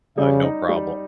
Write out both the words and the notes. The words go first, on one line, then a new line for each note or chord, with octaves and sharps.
uh, no problem,
C#3 G3
D#4
G3